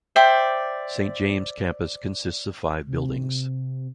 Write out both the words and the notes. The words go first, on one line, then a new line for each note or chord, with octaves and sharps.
Saint James campus consists of five buildings.
C5 D5 E5 G5
C3